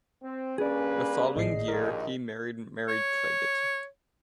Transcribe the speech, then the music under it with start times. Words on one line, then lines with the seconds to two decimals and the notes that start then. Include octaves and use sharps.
The following year, he married Mary Clagett.
0.23 C4
0.58 G2 A#3 C#4 G#4 B4 D5
1.36 G#1 A2 D#5 C7
1.68 A#1 D#2 A#4
2.88 C#5